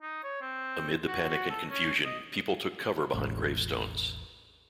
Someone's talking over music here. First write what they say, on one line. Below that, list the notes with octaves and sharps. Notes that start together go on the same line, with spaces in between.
Amid the panic and confusion, people took cover behind gravestones.
D#4
C#5
C4
F#4
F#4
A4
C#4
D#5
E1 A1